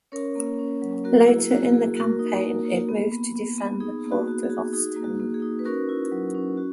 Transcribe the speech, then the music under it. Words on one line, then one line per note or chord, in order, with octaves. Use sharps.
Later in the campaign it moved to defend the port of Ostend.
C#4 A#4 C#5
A#3
C#4
F#3
A#3 F#4 A#4
E4 G#4
A#3 F#4
A#3 G#4
A#3 F#4 A#4
D#4
A#3
A#3
B3
B3
B3
B3
D#4 G#4
A#3
F#4
F#4
G#4
F#4
D#4 G#4
A#3
F#4
A#3
G#4
D#4
B4
C#4 F#4 A#4
E4
F#3
C#4
F#4